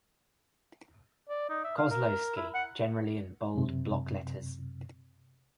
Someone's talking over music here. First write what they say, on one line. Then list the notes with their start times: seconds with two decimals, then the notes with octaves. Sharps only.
Kozlowski, generally in bold block letters.
1.29 D5
1.49 D#4
1.64 E5
1.77 F5
1.91 A#4
2.37 E4
2.54 F#5
3.55 F#2 C3